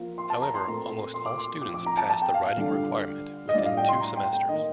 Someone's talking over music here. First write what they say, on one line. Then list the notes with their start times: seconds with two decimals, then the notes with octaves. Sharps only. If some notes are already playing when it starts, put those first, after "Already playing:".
However, almost all students pass the writing requirement within two semesters.
Already playing: F3 A#3 F4
0.18 C6
0.30 A5
0.42 A#5
0.54 C6
0.66 A#2 A3 C4
1.14 C6
1.26 D6
1.38 C6
1.62 F3 C4 F4 D6
1.74 D6
1.86 A#5
1.97 A5
2.10 A5
2.22 G5
2.34 F5
2.45 F5
2.57 D3 G3 D4 F4
3.49 D#5
3.54 A2 G3 D4 F4 D5
3.65 F5
3.77 G5
3.89 C6
4.01 A#5
4.17 G5
4.33 G5
4.49 D#3 A#3 D#4 D#5